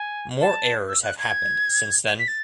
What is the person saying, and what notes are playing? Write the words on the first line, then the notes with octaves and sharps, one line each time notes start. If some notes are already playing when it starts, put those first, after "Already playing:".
More errors have happened since then.
Already playing: G#5
A5
E6
F#6
G#6
B6
A6